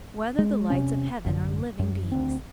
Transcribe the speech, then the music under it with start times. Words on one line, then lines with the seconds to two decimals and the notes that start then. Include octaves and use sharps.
Whether the Lights of Heaven Are Living Beings?
0.39 G#3
0.70 E1 C3 C#4
1.25 A1 F#2 D3
1.79 F#2
2.12 D2 C4